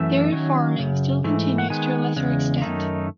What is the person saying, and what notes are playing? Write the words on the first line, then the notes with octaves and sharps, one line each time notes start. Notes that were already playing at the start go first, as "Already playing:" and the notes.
Dairy farming still continues to a lesser extent.
Already playing: F#2 E3 A3 C#4 E5
D#3 F#3 C#4
F#2 C#3
G#2 E3 A3
F#5
D#3 G#3 B3 G#5
E2 C#3 G#3
F#2 D#3 A3 D#4